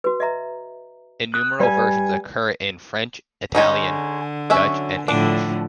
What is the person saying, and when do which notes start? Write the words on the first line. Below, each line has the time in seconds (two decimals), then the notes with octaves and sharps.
Innumerable versions occur in French, Italian, Dutch and English.
0.04 F#4 B4
0.20 D#5 E5 A#5
1.34 D#6 F#6
1.60 G3 B4 D5 F5 G#5
3.55 D3 G#3 C#4 D#4
4.50 F#3 C#4 E5
5.08 A2 D3 F3 D4